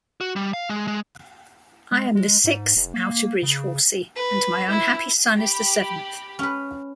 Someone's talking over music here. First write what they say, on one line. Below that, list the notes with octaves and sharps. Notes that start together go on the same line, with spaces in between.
I am the sixth Outerbridge Horsey and my unhappy son is the seventh.
F#4
G3
F5
G#3
G#3
G#3
G#3
G#2
F1
A#3
C#3
B4
E4
G4 B5
C#4 B4